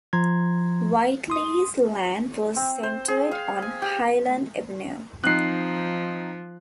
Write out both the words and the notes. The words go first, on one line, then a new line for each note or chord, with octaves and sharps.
Whitley's land was centered on Highland Avenue.
F3 A#5 C6 G#6
C6 D#6
C4
C5
G#4
F5
G#5
G4
F3 C4 D#4 F#6 C7